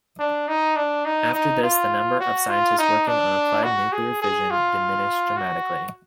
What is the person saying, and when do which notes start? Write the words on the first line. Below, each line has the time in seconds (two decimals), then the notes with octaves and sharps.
After this, the number of scientists working on applied nuclear fission diminished dramatically.
0.19 D4
0.48 D#4
0.76 D4
1.05 D#4
1.34 D#4
1.63 F4
2.20 F#4
2.49 F4
2.78 D#4
3.07 D4
3.64 F#4
3.92 G#4
4.22 G#4
4.51 F4
5.37 F#4